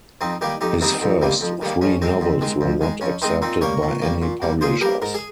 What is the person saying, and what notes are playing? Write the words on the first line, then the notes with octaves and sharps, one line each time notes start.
His first three novels were not accepted by any publishers.
F2 C4 D#4
D#3 G3 A#3 D#4 G4
F2 D#4 G4
D#3 G3 A#3 C4 D#4
F2
D#3 G3 A#3
F2
D#3 G3 A#3
F2 C#4
D#3 G#3 C4
F2
D#3 G#3
F2
D#3 G#3
F2 C#4
D#3 G#3 C4 D#4
A#2 C4 D#4
G3 A#3 A#4 C#5
A#2
G3 A#3
A#2
G3 A#3
A#2 G#4 C5
G3 A#3 G4 A#4
G#2 A#4
G#4